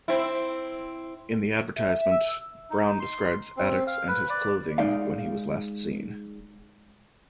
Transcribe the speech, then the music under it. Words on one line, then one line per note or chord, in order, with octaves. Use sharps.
In the advertisement, Brown describes Attucks and his clothing when he was last seen.
C4 E4
E5
E5
E6
D#4
C6
C4
F5
B4
D5
G#3 D#4 D5 F5